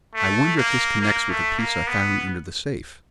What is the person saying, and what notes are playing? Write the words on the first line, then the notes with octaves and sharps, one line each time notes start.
"I wonder if this connects with the piece I found under the safe?"
A3
A#3
A#3
A3
A#3
B3